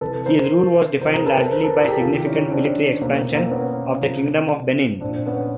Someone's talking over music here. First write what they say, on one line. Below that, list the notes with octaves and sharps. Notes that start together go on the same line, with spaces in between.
His rule was defined largely by significant military expansion of the Kingdom of Benin.
C3 E3 A4 B4
A#4 C5
C3 F3 A#4 C5
G#4 A#4
A4 B4
A#4 C5
A#4 C5
A4 B4
G#4 A#4
G4 A4
C3 D#3 F4 G4
E4
C#4 D#4
C4 D4
B2 A#3 C4
A#3 C4
B3 C#4
C3 F3
A#2 F3 C4 D4
B3 C#4